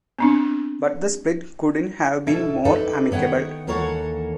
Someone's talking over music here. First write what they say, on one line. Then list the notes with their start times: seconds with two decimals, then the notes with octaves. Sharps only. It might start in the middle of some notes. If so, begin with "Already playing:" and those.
But the split couldn't have been more amicable.
0.19 B3 C4 D4
2.27 B2 E4 A4
2.65 D#4 E4 G4 A4 B4
3.11 D#3 B3 C#5 F#5 G5
3.67 D#2 E3 A#3 A4 C#5 F#5